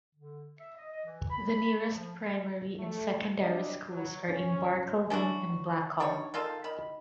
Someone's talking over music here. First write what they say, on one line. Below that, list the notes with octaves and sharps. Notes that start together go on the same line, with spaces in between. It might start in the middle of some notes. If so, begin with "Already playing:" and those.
The nearest primary and secondary schools are in Barcaldine and Blackall.
D3
E5
D#5
D#5
E3
B5
F3
A3
E2 C3 G3 D4 D#5
F#3
C#4
C#4 D4 E4 F#4
G3 D4 D#4 C#5
D#3 D#4 F4 A4
D#3 B5